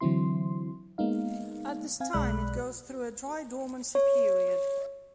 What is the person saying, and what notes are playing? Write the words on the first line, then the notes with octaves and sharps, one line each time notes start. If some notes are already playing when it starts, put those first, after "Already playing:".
At this time it goes through a dry dormancy period.
D3 E3 F#3 C4 E4 C6
G#3 A#3 B3 D#4 F5
C4 F5 G#5
B1 G#3 D5 B5 F#6
C#5